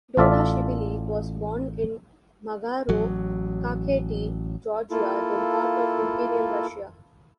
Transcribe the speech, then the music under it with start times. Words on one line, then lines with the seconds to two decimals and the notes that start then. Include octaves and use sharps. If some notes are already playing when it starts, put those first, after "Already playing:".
Dodashvili was born in Magharo, Kakheti, Georgia, then part of Imperial Russia.
0.17 A1 F4 A4 D5 E5
2.89 A1 F#3
4.91 A#3 E4 F4 A4